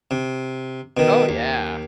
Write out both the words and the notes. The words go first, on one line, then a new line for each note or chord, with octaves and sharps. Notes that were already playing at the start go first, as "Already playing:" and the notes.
Oh, yeah.
C3
B2 D#3
D#2